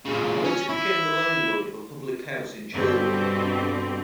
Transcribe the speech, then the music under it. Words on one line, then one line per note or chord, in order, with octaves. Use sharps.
He later became the landlord of a public house in Churwell.
A#2 C#3
C#4
E4
G2 B2 D3 C4